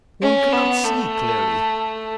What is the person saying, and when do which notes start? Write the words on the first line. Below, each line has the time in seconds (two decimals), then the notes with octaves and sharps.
One cannot see clearly.
0.22 C#4
0.53 B3
0.84 A3